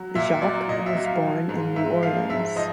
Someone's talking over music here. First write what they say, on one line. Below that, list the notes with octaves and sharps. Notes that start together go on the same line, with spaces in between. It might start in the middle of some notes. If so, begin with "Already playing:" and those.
Jacques was born in New Orleans.
Already playing: F#3
A#2 E5
F#3 D5
A#2 D#5
E5
F#3
F5
F3
G#2
G#2 E5
F3 F5
G#2 E5
F3 D#5